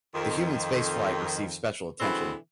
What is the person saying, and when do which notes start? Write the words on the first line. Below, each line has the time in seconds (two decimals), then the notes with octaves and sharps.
The human spaceflight received special attention.
0.14 F2 D#3
2.00 B2 D3 E3 G#3 B3 C4